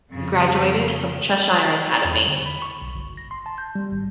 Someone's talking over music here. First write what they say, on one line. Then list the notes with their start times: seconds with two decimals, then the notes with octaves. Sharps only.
He graduated from Cheshire Academy.
0.11 F2 C#3
2.05 E2
2.28 D3
2.46 B5
2.62 C#6
2.82 B1
2.95 G1
3.17 A#6
3.31 C6
3.46 A5
3.58 G6
3.75 G3
3.92 G#1